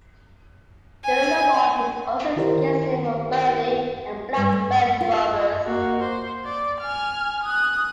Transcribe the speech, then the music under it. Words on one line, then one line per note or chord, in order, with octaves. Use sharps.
During the war he also guested for Burnley and Blackburn Rovers.
G#5
D#3 E4 G4 A#4 C5
G2
A3
F4
A#3 F#4
C5
D5
G#5 F6
D#6 F#6